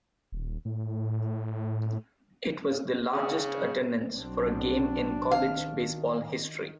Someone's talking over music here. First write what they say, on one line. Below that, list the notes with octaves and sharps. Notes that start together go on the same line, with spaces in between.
It was the largest attendance for a game in college baseball history.
D#1
A2
C#3
B1 F#3 C4 D4
D#3 F5